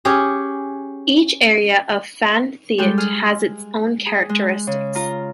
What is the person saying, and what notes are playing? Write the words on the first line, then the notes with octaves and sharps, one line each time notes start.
Each area of Phan Thiet has its own characteristics.
C#4 G4 G#4
G3 G#3 G4 A4
G#4 F6
G#4
G#3
C#3
F4 A#5